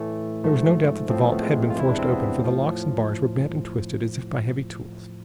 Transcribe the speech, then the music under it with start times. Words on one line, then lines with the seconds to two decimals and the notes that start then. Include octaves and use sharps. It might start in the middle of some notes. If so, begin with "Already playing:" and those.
There was no doubt that the vault had been forced open, for the locks and bars were bent and twisted as if by heavy tools.
Already playing: A2 E3 A3
0.44 G#2 F3 A3
1.09 A2 F3 C4
1.20 B3
1.31 A3
1.42 G#3
1.70 F4
1.76 E2 C3 E3 E4
1.89 D4
1.99 C4
2.08 B3
2.41 A2 F3